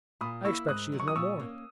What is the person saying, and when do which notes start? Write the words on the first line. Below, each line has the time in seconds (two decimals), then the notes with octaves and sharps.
"I expect she is no more."
0.21 A#2 B5 D#6
0.45 A#3 E4 C#6 E6
0.68 G#2 D#6 F#6
0.92 D#3 F#3
1.00 C#6
1.08 D#6
1.15 A#2 C#6 E6
1.39 A#3 C#4